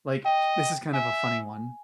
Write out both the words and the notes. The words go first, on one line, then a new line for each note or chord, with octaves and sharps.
like, this is kind of a funny one,
D#5 G5
E5 G#5